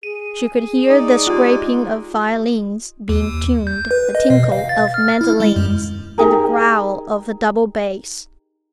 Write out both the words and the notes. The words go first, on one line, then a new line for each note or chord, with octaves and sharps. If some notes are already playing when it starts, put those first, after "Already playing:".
She could hear the scraping of violins being tuned, the tinkle of mandolins, and the growl of a double bass.
G#4 D#7
G#3 D#4 D5
F4 G4 C6
D#2
G6
B4
D#5
B2
F5
A6
F6
E4
G#3
F#2
D#4 G4 G#4 A#4